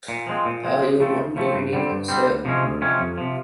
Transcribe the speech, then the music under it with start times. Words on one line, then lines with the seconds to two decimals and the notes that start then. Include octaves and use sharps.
Are you not going in, sir?
0.08 A#2
0.27 F3 G#3 C4
0.45 A#2
0.64 F3 G#3 C4
0.81 C#2
1.00 C#3 F3 A3 C4
1.18 C#2
1.36 C#3 F3 A3 C4
1.54 G2
1.73 D3 G3 C4
1.90 G2
2.08 D3 G3 C4
2.26 D2
2.45 C3 F3 G#3 C#4
2.63 D2
2.81 C3 F3 G#3 C#4
2.99 F2
3.18 C3 F3